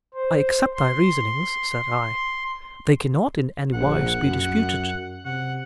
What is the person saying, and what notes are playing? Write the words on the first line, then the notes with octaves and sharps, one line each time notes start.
'I accept thy reasonings,' said I; 'they cannot in any wise be disputed.'
C5
C6
A#1 F#5
F#2
C3 F#5